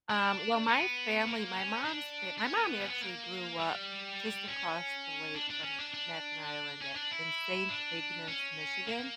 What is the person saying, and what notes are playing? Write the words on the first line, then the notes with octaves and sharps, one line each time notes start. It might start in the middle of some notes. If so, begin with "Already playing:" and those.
Um, well, my family my mom's fa my mom actually grew up just across the lake from Mackinac Island at in Saint Ignace, Michigan.
D4
B3
A#3
C#4
D4
D4
C#4
B3
C#4
B3
A#3
G3
C#4
D4
D4
C#4
D4
D4
C#4
D4
E4
D4
C#4
A#3